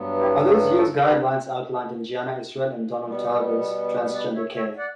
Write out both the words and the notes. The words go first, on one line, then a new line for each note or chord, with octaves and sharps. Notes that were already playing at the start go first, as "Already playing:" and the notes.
Others use guidelines outlined in Gianna Israel and Donald Tarver's "Transgender Care".
Already playing: G2 F#3 B3
E4 G4
F#4 A4
F#4 A4
G4 B4
B2 G3 B3
G4 B4
B4 D5
C#5 E5
C#5 E5
D5 F#5